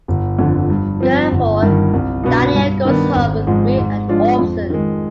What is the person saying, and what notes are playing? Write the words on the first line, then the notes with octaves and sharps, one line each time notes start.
Therefore, Danielle goes home with Bree and Orson.
G1
F2 D3
G2
F3 C4
G1
G2 D#3
C2
B2 B3 D4
G2
D#3 B3 D4
G#1
G#2 F3 G#3
G#2
F3 G#3 D4 F4
F2
D#3 G#3